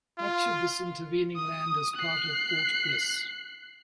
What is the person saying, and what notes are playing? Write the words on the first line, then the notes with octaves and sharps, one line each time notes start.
Much of this intervening land is part of Fort Bliss.
F4
D#6
F#6 C7